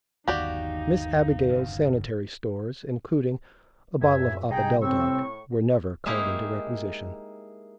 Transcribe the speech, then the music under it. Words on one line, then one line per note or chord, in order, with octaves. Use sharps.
Miss Abigail's sanitary stores, including a bottle of opodeldoc, were never called into requisition.
G1 D#2 B3 D#4 F#4 G4 D5 F5
G1 E2 C#3
C#2 F#2 E5 G#6
C2 D#4 G#4 G5 A#5
A2 C4 C#6 E6
G#3 A#3 D#4 E4 G4